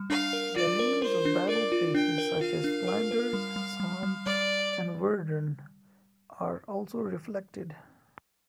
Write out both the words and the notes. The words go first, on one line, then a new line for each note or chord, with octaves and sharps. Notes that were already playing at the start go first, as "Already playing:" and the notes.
The names of battle places such as Flanders, Somme and Verdun are also reflected.
Already playing: G3
D4 F5
A#4
F4 D5
A#4
A#4 C5
D4
A#4 D5
F4
D4 G5
A#4
F4 F5
D4
A#4
A#4
G3
G3
G3
G3
G3 D5